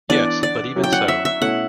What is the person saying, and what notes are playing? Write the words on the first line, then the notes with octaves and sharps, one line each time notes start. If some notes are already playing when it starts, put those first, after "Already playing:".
Yes, but even so.
E3 B3 D4 D5
D5
F#3 C#4 E4
G5
F#5
E5
E5
B2 A3 C#4 E4 F#5